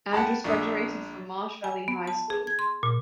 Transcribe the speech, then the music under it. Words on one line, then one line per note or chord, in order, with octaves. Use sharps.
Andrus graduated from Marsh Valley High School.
F#5 G5 A5 B5
A#1 D4 A4 E5 D#6
G#5
B3
A5
G#4
G#6
C6
A#2